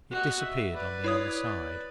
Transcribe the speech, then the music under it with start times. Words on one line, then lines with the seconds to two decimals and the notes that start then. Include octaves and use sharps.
It disappeared on the other side.
0.11 F#4 D#5
0.40 E5
0.74 B4 D5
1.04 E4 C#5 D#6